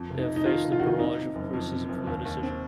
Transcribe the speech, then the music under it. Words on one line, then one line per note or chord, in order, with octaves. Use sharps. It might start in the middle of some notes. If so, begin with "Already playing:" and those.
They have faced a barrage of criticism for their decision.
Already playing: F2
F1
D#4
F1
D#4
D#3 F4
F1
F4
D#3 F#4
F4
C3 D#4
C3
F#1
F2
C3
F#1
D#2
D#2
C4